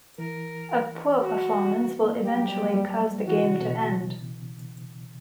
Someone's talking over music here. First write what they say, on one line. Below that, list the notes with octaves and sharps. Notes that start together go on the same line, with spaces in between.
A poor performance will eventually cause the game to end.
E3 A#4
G4
F#4
G3
B3
A#3
G3 G4
F#3
G3
A#3
G3
E3 F#4
C#3
B2